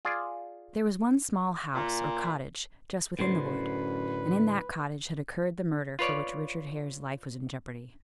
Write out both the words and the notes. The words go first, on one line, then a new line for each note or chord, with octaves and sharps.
There was one small house, or cottage, just within the wood, and in that cottage had occurred the murder for which Richard Hare's life was in jeopardy.
F4 G#4 D5
A#2
F#2 A2 D3 B4 C5
F4 B4 C#5 D5